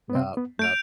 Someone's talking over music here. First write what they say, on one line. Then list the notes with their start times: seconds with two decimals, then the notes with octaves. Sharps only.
Yup, yup.
0.10 B3
0.15 C3 C4
0.37 B3
0.59 A3 G6 D7 F7